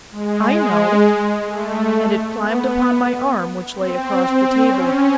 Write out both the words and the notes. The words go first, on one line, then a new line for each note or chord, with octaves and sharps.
"I know." And it climbed upon my arm which lay across the table.
G#3
A3
B3
C4
C4
C#4